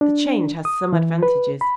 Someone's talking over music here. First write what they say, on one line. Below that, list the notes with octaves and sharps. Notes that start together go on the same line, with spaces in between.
The change has some advantages.
D4
D#6
E3
B4
B5